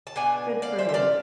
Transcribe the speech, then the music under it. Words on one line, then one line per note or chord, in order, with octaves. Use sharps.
Good for him.
A5
B2 B3 D4 G#5
D5 F5
C5 E5
E5
D5 F5